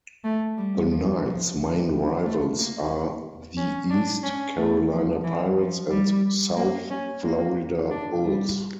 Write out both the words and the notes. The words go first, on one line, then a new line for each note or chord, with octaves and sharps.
The Knights' main rivals are the East Carolina Pirates, and South Florida Bulls.
A3
G3
F3
F3
A3
A#3
C#4
D4
C#4
A3
F3
E3
F3
G3
A#3
C#4
A#3
D4
G3